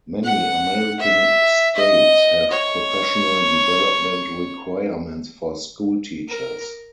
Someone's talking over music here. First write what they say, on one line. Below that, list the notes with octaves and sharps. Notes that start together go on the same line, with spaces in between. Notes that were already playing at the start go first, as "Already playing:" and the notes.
Many American states have professional development requirements for school teachers.
F#5
E5
D#5
C#5
A#4